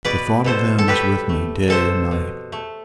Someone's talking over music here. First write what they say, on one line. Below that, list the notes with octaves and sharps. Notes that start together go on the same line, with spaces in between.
The thought of them is with me day and night.
B2 B4 D5
B2 A4 C5
A4
B2 G4 B4
A3
B2 A4 C5
B2
A3